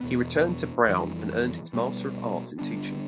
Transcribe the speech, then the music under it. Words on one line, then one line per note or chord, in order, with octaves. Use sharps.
He returned to Brown and earned his Master of Arts in Teaching.
E2 B2 B3
F2 E3 G3
B2 G3 B3
D3 G3 B3 D4